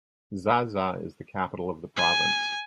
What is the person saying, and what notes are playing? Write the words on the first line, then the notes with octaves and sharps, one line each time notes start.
Xai-Xai is the capital of the province.
G#5